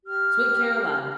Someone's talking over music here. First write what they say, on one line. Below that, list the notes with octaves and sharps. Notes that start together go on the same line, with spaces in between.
Sweet Carolina,
G4 F6